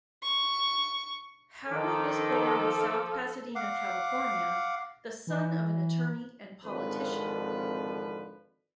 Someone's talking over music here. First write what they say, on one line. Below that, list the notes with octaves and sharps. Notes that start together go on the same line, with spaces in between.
Harrah was born in South Pasadena, California, the son of an attorney and politician.
C#6
D#3 F3 A4 D6
F5 F#5 D6
E3
G#1 F2 D3 F3 B4